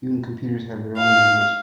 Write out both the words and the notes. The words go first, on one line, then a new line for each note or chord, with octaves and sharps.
Even computers have their own language.
F5